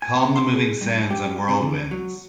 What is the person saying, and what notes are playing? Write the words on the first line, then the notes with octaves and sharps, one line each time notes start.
Calm the moving sands and whirlwinds.
G#5
B3
C6
G#4
G2
G4
C3
D3
F#3